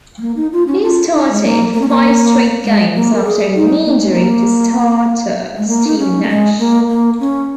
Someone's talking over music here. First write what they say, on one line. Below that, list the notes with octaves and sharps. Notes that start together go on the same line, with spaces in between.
He started five straight games after a knee injury to starter Steve Nash.
G#3
A#3
D#4
F4
C#4
F4
D#4
G#3
A#3
A#3
C#4
A#3
G#3
A#3
A#4
G#4
D#4
A#3
G#3
A#3
G#3
A#3
D#4
C#4
A#3
G#3
A#3
A#3
C#4